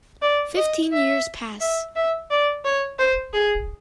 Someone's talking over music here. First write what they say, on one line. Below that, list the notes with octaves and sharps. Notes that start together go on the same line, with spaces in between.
Fifteen years pass.
D5
D#5
E5
E5
E5
D5
C#5
C5
G#4